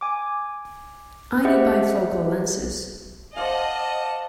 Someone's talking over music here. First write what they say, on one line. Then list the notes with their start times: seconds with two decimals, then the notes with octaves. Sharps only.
I need bifocal lenses.
0.01 G#5 D6
1.45 G4 G#4 C5 D#5 E5 F#5
3.36 C5 D5 D#5 F5 F#5 A5